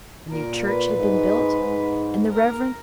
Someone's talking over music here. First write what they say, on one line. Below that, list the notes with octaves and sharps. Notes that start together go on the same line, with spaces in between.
A new church had been built, and the Rev.
A#2 A#4
B4
G#2
G#2
A#4